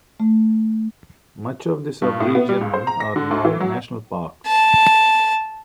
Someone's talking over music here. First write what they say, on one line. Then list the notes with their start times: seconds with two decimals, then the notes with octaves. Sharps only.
Much of the sub-region are now national parks.
0.20 A3
2.02 G2
2.20 A2
2.35 B3
2.49 G3
2.61 C#2
2.74 C5
2.87 A#5
3.00 A#6
3.16 D3
3.31 D2
3.45 E3
3.60 F#3
4.47 A5